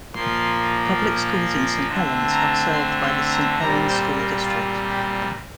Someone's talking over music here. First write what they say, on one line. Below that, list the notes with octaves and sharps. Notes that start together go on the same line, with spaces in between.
Public schools in Saint Helens are served by the Saint Helens School District.
A#2 F3 A#3 C6
D3 A3 C4
A#5
C6
C6
A#5
A#2 G3 C4 A#5
C5
A#4
F4
G4